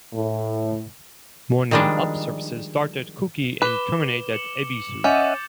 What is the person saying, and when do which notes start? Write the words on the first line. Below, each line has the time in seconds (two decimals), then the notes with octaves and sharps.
Morning "Up" services start at Kuki and terminate at Ebisu.
0.13 A2
1.71 D#3 F3 G3 G#3 D4
3.62 B4 D6 E7 G7
4.33 C#7 E7 F#7
5.04 C#4 D#5 E5 F#5 D6 G6 A6